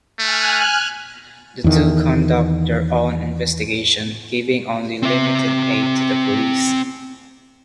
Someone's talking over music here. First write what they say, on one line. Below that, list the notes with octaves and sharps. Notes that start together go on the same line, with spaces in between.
The two conduct their own investigation, giving only limited aid to the police.
A3 G#5 F6 F#6
E2 D#3
C4 E5